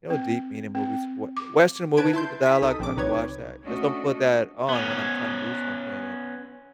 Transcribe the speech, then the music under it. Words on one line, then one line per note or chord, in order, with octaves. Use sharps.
You know, deep meaning movies, w western movies with the dialogue so I can watch that, just don't put that on when I'm trying to do something and
C4
C4
D6
C#3 B3 B4 A5 G#6 D7
E4 A5 C6 G6
G#5 B6
C2 D#4 A4 D#6
A#1 C4 D4 D6
C2 C3 D#4 B4 C#5 G#6
A3 C#4 D4 F#4 D#5
B3 C#4